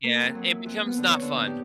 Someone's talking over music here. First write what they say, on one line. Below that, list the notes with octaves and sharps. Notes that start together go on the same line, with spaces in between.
Yeah. It becomes not fun.
A#3
F2
F#3
E4
F2
B3
D3
C#5
D3
D#4
G4